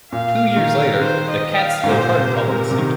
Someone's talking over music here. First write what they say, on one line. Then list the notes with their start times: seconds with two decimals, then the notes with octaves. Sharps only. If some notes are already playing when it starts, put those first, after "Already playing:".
Two years later, the Catskill Park followed suit.
0.12 A#2 F5
0.57 D#3
1.00 D#3 C5
1.30 D#5
1.59 F5
1.84 G#2
1.89 A#2 C5
2.18 C3
2.34 A#4
2.48 C3
2.71 C3
2.79 D#3